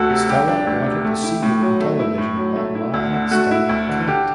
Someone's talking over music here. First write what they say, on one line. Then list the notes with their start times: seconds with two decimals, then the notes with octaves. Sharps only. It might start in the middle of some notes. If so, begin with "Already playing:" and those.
Stella wanted to see you on television, but why Stella can’t?
Already playing: D2 F#4 A4
0.10 C3
0.29 G3 G4
0.48 D4
0.67 D2
0.86 C3
1.05 A3
1.24 E4
1.43 A2
1.61 F#3
1.80 A3
1.99 E4
2.18 A2
2.37 F#3
2.56 A3
2.75 E4
2.94 D2
3.13 D3
3.31 A3 F#4
3.51 E4
3.69 D2
3.89 D3
4.07 D3 G4